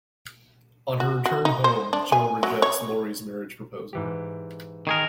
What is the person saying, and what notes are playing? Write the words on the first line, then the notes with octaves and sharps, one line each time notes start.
On her return home, Jo rejects Laurie's marriage proposal.
F#4
F#4
D#4
C5
D4
G#5
F#3
C#5
G#2 E3 G4
D#3 G#4 A#4